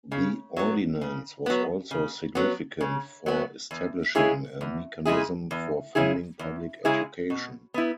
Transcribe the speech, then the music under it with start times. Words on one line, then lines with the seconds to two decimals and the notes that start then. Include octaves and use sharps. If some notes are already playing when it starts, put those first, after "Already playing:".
The ordinance was also significant for establishing a mechanism for funding public education.
0.12 C#3
0.57 F#3 B3
1.01 C#3
1.46 F#3 B3
1.91 C#3
2.35 F#3 B3
2.81 C#3
3.26 F#3 B3
3.71 E2
4.15 C#3 G#3 E4 G#4
4.61 E2
5.06 C#3 G#3 E4 G#4
5.51 E2
5.95 C#3 G#3 E4 G#4
6.39 E2
6.85 C#3 G#3 E4 G#4
7.30 B2
7.74 B3 E4